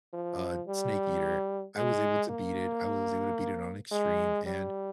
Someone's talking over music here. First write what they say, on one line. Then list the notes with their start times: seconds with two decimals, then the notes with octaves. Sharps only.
uh, Snake Eater, I was able to beat it; I was able to beat it on extreme, and,
0.13 F3
0.67 G3
1.76 G#3
2.30 A#3
3.92 G#3
4.46 G3